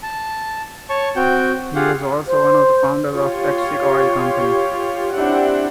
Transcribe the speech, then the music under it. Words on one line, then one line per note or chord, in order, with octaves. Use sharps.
He was also one of the founders of Texaco Oil Company.
A5
C#5 A5 C#6
C4 F#4 G5 G6
F4 G4 G#4 F5 F#5
C5
F4 G4 C#5
C4 D4 E4 G4 F#5